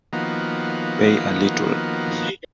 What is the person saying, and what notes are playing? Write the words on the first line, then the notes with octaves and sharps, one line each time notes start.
Pay a little.
D#3 F3 A#3 B3 F#4